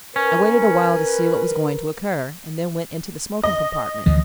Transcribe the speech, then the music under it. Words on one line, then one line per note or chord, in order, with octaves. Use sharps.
I waited awhile to see what was going to occur, and then went into the smoking-compartment.
C#4 A#4 B4
D#5
D2 E3 F3